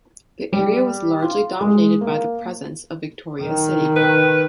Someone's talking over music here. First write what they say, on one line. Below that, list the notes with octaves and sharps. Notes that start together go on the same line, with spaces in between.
The area was largely dominated by the presence of Victoria City.
G3
F4
G#3
A#3
D#3
B4